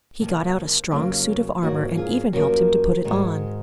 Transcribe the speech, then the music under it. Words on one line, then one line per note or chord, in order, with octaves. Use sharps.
He got out a strong suit of armour, and even helped him to put it on.
C3 F3 A#3
F2 C#3 F#3 A#3
G#2 F#3 A#3 D#4 F#4
F4 G#4
F#2 F3 A#3 F#4 A#4
G#2 D#3 G#3